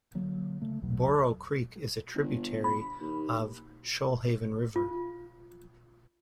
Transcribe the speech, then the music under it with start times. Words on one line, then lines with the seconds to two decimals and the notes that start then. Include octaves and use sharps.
Boro Creek is a tributary of the Shoalhaven River.
0.15 D3 F#3 A#3
0.62 C#3 A3
0.82 B1 E2 B2 F#3
2.15 G1
2.64 B5
3.01 D#2
4.76 F4